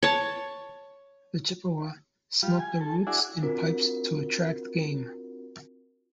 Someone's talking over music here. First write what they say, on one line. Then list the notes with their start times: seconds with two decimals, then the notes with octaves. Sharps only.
The Chippewa smoke the roots in pipes to attract game.
0.03 C#5 A5
2.43 G3 F4
2.60 G#5
2.81 A4
3.07 D4 E4 F#4 G#4
3.42 C4 D4 F4 F#4 A#4